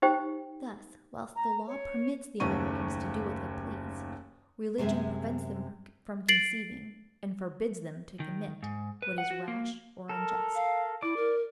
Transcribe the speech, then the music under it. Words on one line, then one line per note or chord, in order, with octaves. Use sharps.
Thus whilst the law permits the Americans to do what they please, religion prevents them from conceiving, and forbids them to commit, what is rash or unjust.
D#4 G4 C5 G5
A#5
C#5
F#1 D#2 A3 C#4 C#6 D#7
F#2 C3 G#3 G#4 E5
A6 C7 D7 F#7
D#3
G#2
B4
F#5
F#4
A#3
A4 A#4
F5
E4 D5 D6
A#4